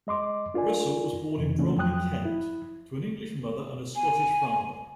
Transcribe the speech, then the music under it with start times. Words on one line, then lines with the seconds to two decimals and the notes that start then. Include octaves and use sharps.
Russell was born in Bromley, Kent to an English mother and a Scottish father.
0.07 G#3 D#5 C6 D6
0.54 D4 F4 A#4 D5 G#5
1.38 F2 C3 D#3 E3
1.59 A#2 C#3 E3 A3 C#4 D4
1.77 F2 F3 F#3 G5 D#6 F#6
2.25 E4
3.96 G#5